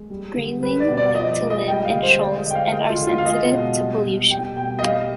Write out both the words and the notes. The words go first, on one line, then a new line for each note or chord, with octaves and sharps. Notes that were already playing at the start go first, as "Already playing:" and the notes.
Grayling like to live in shoals and are sensitive to pollution.
Already playing: G#3
G3
D3
G3 B4
D5
B2
D5
F3 D#5
G#3
D#5
G3 G5
F5
D3
C5
G#3 D5
D#5
D3 G5
F5
G#3 D#5
F4
D3
F4
F5
G#3 D#5
B2
G3
B2
G3 G5
B2 G5
D#5
G3 F5